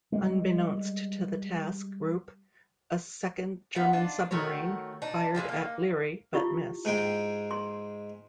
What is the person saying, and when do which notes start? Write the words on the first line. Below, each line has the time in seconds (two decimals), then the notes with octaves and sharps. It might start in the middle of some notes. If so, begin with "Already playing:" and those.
Unbeknownst to the task group, a second German submarine, fired at "Leary" but missed.
0.12 G3 G#3
3.75 B3 D#4 E5 F#5
3.93 D4 D#4 F4
4.31 D#3 A3 F#4 C#5
5.02 D4 D#4
5.35 E3 F3 G3 G#3
5.49 A#3 D#4
6.34 E4 F4 G4
6.85 G#2 G#3 G5
7.51 C6